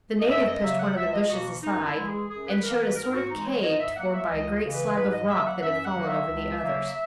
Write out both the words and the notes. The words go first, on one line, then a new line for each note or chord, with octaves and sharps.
The native pushed one of the bushes aside, and showed a sort of cave formed by a great slab of rock that had fallen over the others.
D#5
F#2 E5
D#5
C#3 F#3 A#3 E5
F#5
C#2 E5
D#5
B2 A#3 F#4
F#2 D#4
E4
E3 G#3
G#4
F#2 G#4
B4
E3 A#3 A#4
B4
G#2 A#4
F#4
E3 G#3 D#4
C#5
G#2 D#5
E5
F#3 A#3 F#5
E5
C#2 D#5
D#5
C#3 E3
B4
G#2 B4
D#5
F#3 A#3 E5
F#5
F#2 E5
F#5
D#3 F#3 A#3
E5
C#2
C#3 F#3 A#3